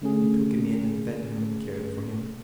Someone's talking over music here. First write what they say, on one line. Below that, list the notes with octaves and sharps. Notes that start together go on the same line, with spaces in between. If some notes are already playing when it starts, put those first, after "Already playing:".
We took him in and fed him and cared for him.
D3 A3 C#4 G#4